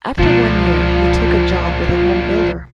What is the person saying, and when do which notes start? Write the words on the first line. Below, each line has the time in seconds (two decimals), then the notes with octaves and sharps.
After one year, he took a job with a home builder.
0.19 C#2 B2 F3 D4 F4